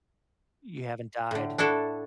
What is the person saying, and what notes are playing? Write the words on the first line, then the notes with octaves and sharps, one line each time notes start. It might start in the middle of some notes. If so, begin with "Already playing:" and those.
You haven't died.
A2 D3
D4 E4 F#4 A4